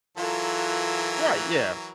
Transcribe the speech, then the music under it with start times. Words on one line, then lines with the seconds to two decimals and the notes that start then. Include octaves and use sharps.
Right, yeah,
0.18 E3 F#3 F4 A4 A#4